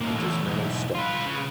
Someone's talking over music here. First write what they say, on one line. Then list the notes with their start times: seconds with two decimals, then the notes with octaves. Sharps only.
It has now stopped.
0.01 D#2 A#2
0.15 E2 A2
0.46 B1 E2
0.95 F4 B4
1.26 C#3